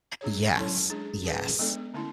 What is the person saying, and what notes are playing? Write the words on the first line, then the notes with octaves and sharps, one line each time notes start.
Yes, yes.
G#3 D4 G#4 C#5
F#3 C#4 E4 A4 C#5
G#3 D4 G#4
C#4 G#4 B4
G#3 B3 D4 A4 D5
D3 A3 C#4 E4